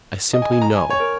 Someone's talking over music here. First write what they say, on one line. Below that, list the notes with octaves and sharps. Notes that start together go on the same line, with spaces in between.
I simply know.
D#5
G#5
G#5
A#5
G#5
C#5
A#4